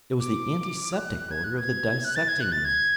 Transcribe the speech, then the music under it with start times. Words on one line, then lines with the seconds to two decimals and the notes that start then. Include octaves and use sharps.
It was the antiseptic odour of the dissecting-room.
0.20 D6
0.93 F#6
1.31 G#6
1.44 F#6
1.58 G#6
2.04 F#6
2.15 A6
2.28 G#6
2.40 F#6
2.52 A6
2.65 G#6